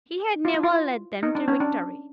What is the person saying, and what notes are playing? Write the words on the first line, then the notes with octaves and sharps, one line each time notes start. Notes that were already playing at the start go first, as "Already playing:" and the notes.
He had never led them to victory.
F4
E4
F4
D#4
D4
C#4
D4